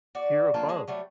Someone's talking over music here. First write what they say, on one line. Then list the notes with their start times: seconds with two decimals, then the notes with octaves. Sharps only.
here above,
0.15 F#4 D5
0.54 F#3 A#3 D4 F4
0.69 G#3 G#4 A5
0.88 F#3 G3 A3